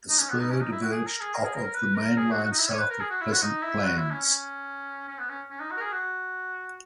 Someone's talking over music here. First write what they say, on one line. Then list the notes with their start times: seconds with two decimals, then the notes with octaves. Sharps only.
The spur diverged off of the Main Line south of Pleasant Plains.
0.09 D#4
0.18 C#4
0.30 B3
0.39 D#4
0.50 C#4
0.61 D#4
0.72 E4
0.82 F#4
0.92 G#4
1.06 A#4
1.20 G#4
1.34 A#4
1.44 G#4
1.54 A#4
1.64 A#4
1.75 B4
1.95 A#4
2.17 G#4
2.31 F#4
2.44 F#4
2.52 D#4
2.59 E4
2.69 C#5
2.79 B4
2.90 A#4
3.00 G#4
3.10 F#4
3.21 E4
3.32 F#4
3.42 D#4
3.62 E4
3.84 F#4
3.98 E4
4.11 C#4
4.25 C#4
5.08 C#4
5.19 B3
5.30 C#4
5.50 C#4
5.60 D#4
5.71 F#4
5.77 A#4
5.81 G#4
5.92 F#4